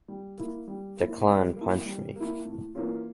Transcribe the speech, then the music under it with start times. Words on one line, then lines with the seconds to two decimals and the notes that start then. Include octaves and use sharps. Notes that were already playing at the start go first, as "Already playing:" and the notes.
Declan punched me.
0.08 G3
0.38 A#3 E4
0.68 G3
0.97 A#3 E4
1.27 G3
1.57 A#3 E4
1.86 G3
2.16 A#3 E4
2.45 A2
2.75 E3 A#3 C#4 F4